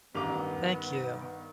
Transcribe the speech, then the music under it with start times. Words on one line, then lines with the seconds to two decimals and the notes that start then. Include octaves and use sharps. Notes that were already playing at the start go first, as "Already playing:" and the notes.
Thank you.
0.15 A1 G2 D#3 B3 D6 F7